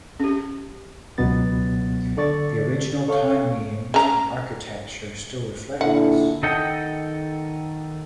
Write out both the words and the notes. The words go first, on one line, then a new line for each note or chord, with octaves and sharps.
The original town names and architecture still reflect this.
C#4 G4
C#2 B2 F#3 B3 A6
D3 A4 D5 C#6 A6
A4 C#5 F5 C#6
C#3 A#5
A#2 D3 E4 F#5
D#3 A4 D#5 F#5 G5